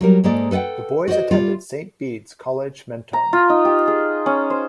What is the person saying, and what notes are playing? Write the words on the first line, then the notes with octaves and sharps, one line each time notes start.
The boys attended Saint Bede's College Mentone.
F#3 G3 A#4
G#2 G#3 A#3 A4 D5
A4 B4 D5 F#5 G5
F#4 C5 D5 D#5
G3 F4 D5
A#5
F4
D#4
G4
G#4
C#4
C5